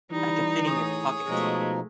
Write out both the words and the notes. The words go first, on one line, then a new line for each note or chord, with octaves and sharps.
that can fit in your pocket.
E3 G3 D#4
A2 G#4 C#5 D#6
B2 F3 G#3 A3 D#4